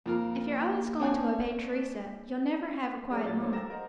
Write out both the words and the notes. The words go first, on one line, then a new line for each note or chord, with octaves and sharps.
"If you're always going to obey Teresa, you'll never have a quiet moment."
F2 A#3 F4 A#4
C4 D4 C#5 G#5
F#3 G#3 A#3 C#4 D4 D5
A#2 F#3 C#4 D5 A6
C#4 D4 E4 A4 C5
A4 A#4 A#6 E7
A#4 C5 D#5 F5 F#5